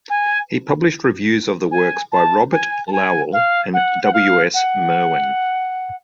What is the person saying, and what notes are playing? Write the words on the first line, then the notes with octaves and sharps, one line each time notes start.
He published reviews of the works by Robert Lowell and W. S. Merwin.
G#5
G#5
A5
G#5
A5
G#5
F5
F#5
F#5
F5
F#5